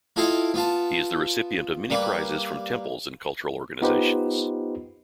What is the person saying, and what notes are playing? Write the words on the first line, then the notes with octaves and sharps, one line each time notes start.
He is the recipient of many prizes from temples and cultural organisations.
E4 F4 A4 D#5 F5 G5
B3 F4 A5
G3 A#3 B4
B3 D#4 F4 G4 B4 C5